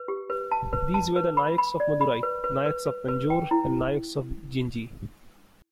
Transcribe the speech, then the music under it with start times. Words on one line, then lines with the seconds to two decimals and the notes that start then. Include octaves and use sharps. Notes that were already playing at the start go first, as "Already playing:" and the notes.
These were the Nayaks of Madurai, Nayaks of Tanjore and Nayaks of Gingee.
Already playing: B4
0.08 G4
0.30 B4
0.51 A5
0.73 B4
0.94 A5
1.16 B4
1.37 B5
1.58 B5
1.80 D5
2.01 B5
2.23 B4
2.44 B4
2.66 B4
2.87 B4
3.08 B4
3.30 G5
3.51 E4